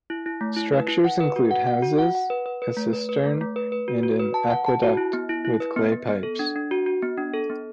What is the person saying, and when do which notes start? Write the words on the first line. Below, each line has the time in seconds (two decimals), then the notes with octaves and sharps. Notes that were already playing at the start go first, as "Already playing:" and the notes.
Structures include houses, a cistern and an aqueduct with clay pipes.
0.10 E4
0.26 E4
0.41 A3
0.56 E4
0.73 B4
0.88 E4
1.04 F#5
1.20 B4
1.36 F#4
1.51 F#5
1.67 F#5
1.82 F#4
1.99 F#5
2.15 F#5
2.30 B4
2.46 B4
2.62 B4
2.77 A3
2.93 B4
3.09 B4
3.25 A3
3.41 A3
3.56 B4
3.72 B4
3.88 F#4
4.03 F#4
4.20 B4
4.34 A5
4.50 F#5
4.66 A5
4.83 F#4
4.97 E4
5.13 B3
5.29 E4
5.45 E4
5.60 B4
5.76 B3
5.92 B3
6.08 B3
6.23 A4
6.39 D4
6.56 D4
6.71 F#4
6.86 F#4
7.02 B3
7.17 D4
7.33 A4
7.50 B3